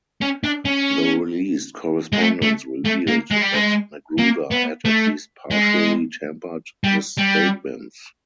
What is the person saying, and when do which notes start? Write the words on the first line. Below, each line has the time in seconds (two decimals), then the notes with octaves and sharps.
The released correspondence revealed that Magruder had at least partially tempered his statements.
0.22 C#4
0.44 D4
0.65 C#4
2.13 G#3
2.20 A3
2.42 A3
2.86 A3
3.08 A#3
3.31 G#3
3.41 G3
3.54 G#3
4.19 A#3
4.52 B3
4.85 A3
5.51 G#3
6.84 G3
7.17 G3